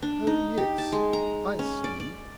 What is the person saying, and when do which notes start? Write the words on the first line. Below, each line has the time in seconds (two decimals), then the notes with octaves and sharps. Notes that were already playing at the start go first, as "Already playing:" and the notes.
"Oh, yes, I see."
0.02 D4
0.27 D#4
0.58 G4
0.78 A5
0.92 G#3
1.13 A#5
1.59 C#4
1.84 D5
2.00 D5